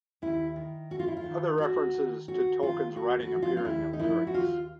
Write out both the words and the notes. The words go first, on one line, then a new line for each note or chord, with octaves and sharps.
Other references to Tolkien's writing appear in the lyrics.
D#2 E4
D#3
D#2 F#4
F4
E4
F4
D#3
D#2 F#4
D#3
D#2 F#4
D#3 F4
D#2 F#4
F#4
D3 F3
F4
F4
D#2 E4
D#4
D3 F3 E4
F#4
D#2 F4